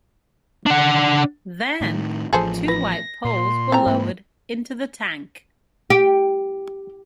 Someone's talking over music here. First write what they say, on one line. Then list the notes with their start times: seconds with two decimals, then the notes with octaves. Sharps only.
Then, two white poles were lowered into the tank.
0.67 D4 F#5
1.81 A2 D#3
2.33 A1 F3 G#4 A4 C5
2.68 B4 A#6
3.25 A#2 C6
3.72 E3 A3 C4 A#5
3.86 G#2 A#3
5.90 G4